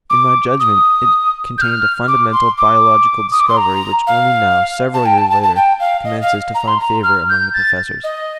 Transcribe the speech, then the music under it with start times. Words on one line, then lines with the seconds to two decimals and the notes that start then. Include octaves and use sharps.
In my judgment, it contained a fundamental biological discovery which only now, several years later, commences to find favor among the professors.
0.10 D6
0.60 D#6
1.58 G6
1.62 F6
2.08 D6
2.33 C6
2.58 D6
3.32 D#6
3.40 D6
3.49 C6
3.57 A#5
4.07 F5
4.94 A5
5.06 G5
5.18 A5
5.30 A5
5.43 A5
5.56 G5
5.80 F5
6.05 D#5
6.22 F5
6.55 A#5
6.68 C6
6.80 A#5
7.03 F6
7.29 G6
7.54 A6
8.04 D#5